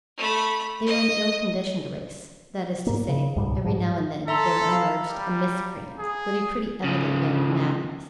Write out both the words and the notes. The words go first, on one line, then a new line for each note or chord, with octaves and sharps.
They were an ill-conditioned race--that is to say, every now and then there emerged a miscreant, with a pretty evident vein of madness.
A3 B5
D#5
G#2 A#3
C#3
C#2 G#2 B2 G3
G#2 F3
A4 E5 A#5 C6
F5 A#5 B5
G3
G#4
C#3 F3